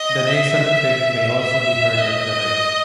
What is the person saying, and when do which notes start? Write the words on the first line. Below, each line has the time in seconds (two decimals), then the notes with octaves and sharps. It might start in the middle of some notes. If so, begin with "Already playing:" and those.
The nasal click may also be heard at the right.
Already playing: D#5
0.27 E5
1.41 E5
1.99 D#5